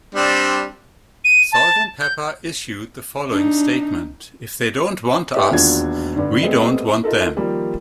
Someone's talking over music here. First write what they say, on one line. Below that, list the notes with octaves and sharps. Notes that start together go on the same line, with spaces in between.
Salt-n-Pepa issued the following statement: If they don't want us, we don't want them.
G3 C4 D4
D#7
A5
G6
D4 D#4
D#4 G4 B4 D5 E5
E1 D#2 D4 F4 F#4 G#6
G2 D3
G3 A3 B3 C4 G#4 D#5
D#4 F4 A4 A#4
D#3 F3 G3 A#3